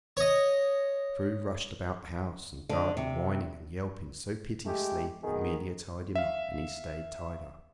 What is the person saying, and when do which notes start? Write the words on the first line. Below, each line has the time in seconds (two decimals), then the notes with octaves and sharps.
But True rushed about the house and garden whining and yelping so piteously that 'Melia tied him up, and he stayed tied up.
0.17 C#5 D#5
2.69 D3
2.97 C3
4.66 G#3 A3 G4
5.23 B2 D#3 G#4
6.15 E5 F5